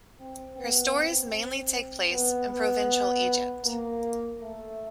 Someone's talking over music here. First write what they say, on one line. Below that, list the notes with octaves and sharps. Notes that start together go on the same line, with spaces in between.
Her stories mainly take place in provincial Egypt.
C4
B3
C4
B3
B3
A#3
A3